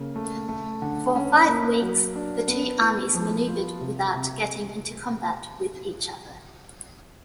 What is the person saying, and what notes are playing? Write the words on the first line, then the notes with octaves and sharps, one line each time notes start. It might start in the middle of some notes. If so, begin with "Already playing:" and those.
For five weeks the two armies manoeuvred without getting into combat with each other.
Already playing: C#3 A#3
A3
A3
D3
C#4
A#3
F#3
D4
B3
E4
F3
F4
C3
C3